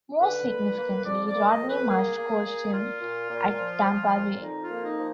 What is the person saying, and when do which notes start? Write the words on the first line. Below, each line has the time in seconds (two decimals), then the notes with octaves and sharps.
More significantly, Rodney Marsh coached him at Tampa Bay.
0.21 D3 B4
0.50 D3
0.77 A#3
1.05 F2 D5
1.26 D5
1.34 A#3
1.48 D#5
1.62 F2
1.69 B4
1.89 A#3 G#4
2.18 A#3
2.46 A#3
2.73 A#2 F4
3.01 A#2
3.30 A#2
3.58 F3
3.85 F3
4.14 A#2
4.41 F2 D#4
4.63 F4
4.70 A#3
4.84 D#4
4.98 F3